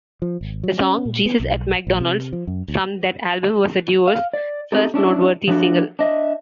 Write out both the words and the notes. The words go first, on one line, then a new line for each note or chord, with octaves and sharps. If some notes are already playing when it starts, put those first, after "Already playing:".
The song "Jesus at McDonald's" from that album was the duo's first noteworthy single.
F3
G#1
F#3
C#4
A#2
B3
B1
A#1
C3
F3
F#2
D2
F5
D5
A3 C4 D#4 G4 A4
C#4 D4 E4
F3 F#3 A3 D4 F#4
D4 D#5 E5